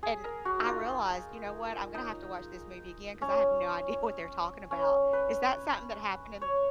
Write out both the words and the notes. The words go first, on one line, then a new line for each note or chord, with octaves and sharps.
And, I realized, "You know what? I'm gonna have to watch this movie again, 'cause I had no idea what they're talking about." Is that something that happened in
G#4
A#4
F#4
D#4
F4
D#4
C#4
C#4
B4
C#5